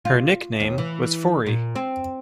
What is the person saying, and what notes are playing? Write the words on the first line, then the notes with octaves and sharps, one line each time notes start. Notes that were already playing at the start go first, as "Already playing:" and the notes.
Her nickname was Fori.
F4
D#2
E3
A#2
C4